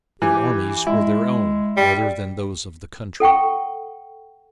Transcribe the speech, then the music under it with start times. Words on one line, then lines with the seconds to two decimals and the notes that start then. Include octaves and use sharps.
Their armies were their own rather than those of the country.
0.22 E3 G4
0.87 G#3 E4
1.77 G3
3.20 A4 F#5 G5 C#6